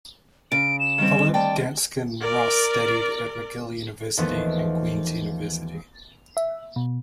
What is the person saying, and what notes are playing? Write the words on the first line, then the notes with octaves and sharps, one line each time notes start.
Philip Dansken Ross studied at McGill University and Queen's University.
C#3 D7
E7
D#3 G3 C4
D2 D5 G5 A5
A#4 D5
D#2 E3 F3 A3 B3
E5
B2